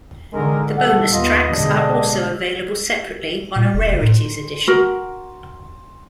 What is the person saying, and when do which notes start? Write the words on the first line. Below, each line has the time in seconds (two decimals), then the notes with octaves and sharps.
The bonus tracks are also available separately on a "Rarities Edition".
0.33 D3 D#3 G#3 A#4
0.77 B2 G3 A4 F#5
1.12 D#2 B3 F4 D#5
1.53 B2 D3 G#3 D4
3.56 A#2
3.74 F1
3.88 F#1
4.02 A2
4.67 F#4 A#4